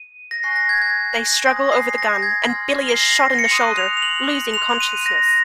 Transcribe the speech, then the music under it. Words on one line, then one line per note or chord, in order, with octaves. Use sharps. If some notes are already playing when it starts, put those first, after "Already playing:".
They struggle over the gun, and Billy is shot in the shoulder, losing consciousness.
Already playing: D#7
A#6
G#5 C#6 F#6 C7
A#6
G#6
G#6
G#5 C6 D#6 A#6
C7
A#6
G#6
C6 F6
C7
A#6
A#6
C#7
C6 D#6 F#6 D#7
F7
F7
F#7
C6 F#6 F7
D#7
A#6